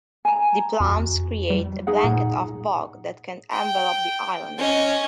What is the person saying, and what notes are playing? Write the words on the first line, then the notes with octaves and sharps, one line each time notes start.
The plumes create a blanket of vog that can envelop the island.
G#5 A#5
F2 F#4
G3
D#4 G#4 F#5
A#2
G5
C#4 D#5